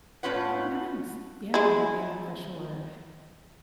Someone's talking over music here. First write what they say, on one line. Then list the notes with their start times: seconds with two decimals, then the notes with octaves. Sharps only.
Oh, nice. Yeah, yeah, for sure.
0.23 A2 B3 C#4 F4 B4 F#5
1.54 G#3 E4